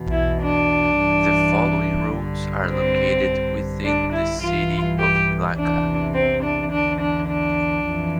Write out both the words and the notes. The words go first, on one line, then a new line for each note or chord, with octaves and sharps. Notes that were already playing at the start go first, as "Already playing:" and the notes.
The following routes are located within the city of Milaca.
Already playing: E2 B2
E4
D4
G2 E3
G2 D3
C4
G2 D3
D4
E4
G2 E3 F4
G4
E2 C3 E3 D4
C4
D4
E2 D3 D4
D4
D4
F2 E3